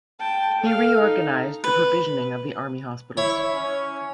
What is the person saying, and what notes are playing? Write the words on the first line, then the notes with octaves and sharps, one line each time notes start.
He reorganized the provisioning of the army hospitals.
G5 A5
A4 F5
D#4
B4
E4 C#5
C#4